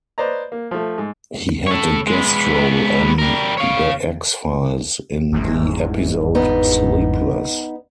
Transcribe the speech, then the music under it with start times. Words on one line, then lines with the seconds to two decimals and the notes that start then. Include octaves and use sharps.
He had a guest role on "The X-Files" in the episode "Sleepless".
0.18 B4 C5 D5 D#5 A#5
0.52 A#3
0.71 F3 A3
0.98 G#2
1.67 A4 C#5
2.07 G#3 B3
3.18 G3 A#4
3.57 C#5 F5
5.31 G1 E2 G#2
6.35 B3 D#4